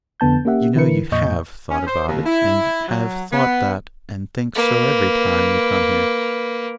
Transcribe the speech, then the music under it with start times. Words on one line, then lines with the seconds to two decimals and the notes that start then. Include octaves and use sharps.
'You know you HAVE thought about it, and have thought that, and think so every time you come here.
0.20 F2 D3 B3 A5 G6
0.45 A#3 C#4 G4 E5 F#5
0.75 D3 E3 E4 A#4 B4 C#7
1.12 F2 A#2 D#5 C#6 G6
1.71 C#4
1.87 C5
2.08 D#2
2.25 E4
2.89 F#3
3.32 B3
4.55 A#3 B4